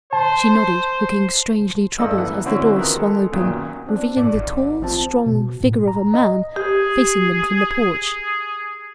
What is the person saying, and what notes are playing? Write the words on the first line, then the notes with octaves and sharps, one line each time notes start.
She nodded, looking strangely troubled as the door swung open, revealing the tall, strong figure of a man facing them from the porch.
C5 A5
A1 G2 A4 D5 D#5 E6
A#1 E3 E4 F#5
D3 C4 C#4 E4 F#4
D#3 F3 B3 A#4 F#6
G#3 A4
B1 F#2 A#2 D#3 F#3
C4 D4
A2 D5 D6
G#1
F3 C4 A5
B2
A2
A#5
D#5
G4 G#4